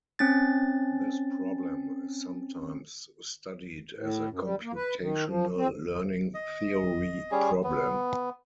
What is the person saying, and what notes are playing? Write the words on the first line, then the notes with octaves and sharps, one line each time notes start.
This problem is sometimes studied as a computational learning theory problem.
C4 C#4 A6
A2
F#2
G3
A#3
B4
D#3
F3
C4
D#5
G3 C#4 G#4
B3